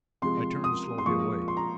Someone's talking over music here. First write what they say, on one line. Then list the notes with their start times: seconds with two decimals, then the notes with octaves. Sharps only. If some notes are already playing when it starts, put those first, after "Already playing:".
I turned slowly away.
0.22 C3 F3 G#3 C6
0.64 D#6
0.98 C6
1.06 A#2 F3 G#3 C#6
1.48 C6
1.57 A#5